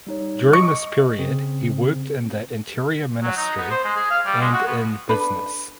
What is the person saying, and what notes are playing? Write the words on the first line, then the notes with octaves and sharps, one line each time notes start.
During this period he worked in the Interior Ministry and in business.
G3 D#4 C#5
D#5 C#6
C#3 C4 G#4
F#3
D#4
B3
C5
G#3
G#4
F5
G3
G#3
F#4
B3
D4 A4 B4